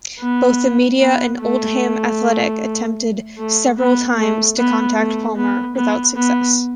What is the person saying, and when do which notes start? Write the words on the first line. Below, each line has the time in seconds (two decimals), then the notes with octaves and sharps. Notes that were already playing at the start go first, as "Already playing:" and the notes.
Both the media and Oldham Athletic attempted several times to contact Palmer without success.
0.19 B3
1.00 B3
1.39 A3
3.38 A3
3.77 B3
4.17 A3
4.57 B3
4.97 A3
5.36 B3
5.76 B3
6.15 B3